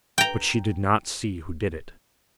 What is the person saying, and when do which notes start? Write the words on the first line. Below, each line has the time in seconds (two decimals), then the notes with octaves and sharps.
But she did not see who did it.
0.18 G5 A#5